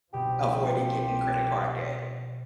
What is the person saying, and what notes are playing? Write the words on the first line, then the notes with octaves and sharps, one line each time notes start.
avoiding getting in credit card debt.
C2 B2 F3 C4 G4